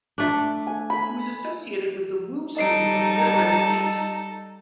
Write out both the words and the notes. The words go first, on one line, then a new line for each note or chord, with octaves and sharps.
He was associated with the Wu School of literary painting.
A3 D4
G#5
B5
G3 D#4 A4 D#5 C7 D7